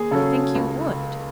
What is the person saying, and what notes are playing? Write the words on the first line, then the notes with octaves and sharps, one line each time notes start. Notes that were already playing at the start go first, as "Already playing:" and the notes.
"I think you would."
Already playing: D#2 G#4
C#3 F#3 C#4 A4
C#2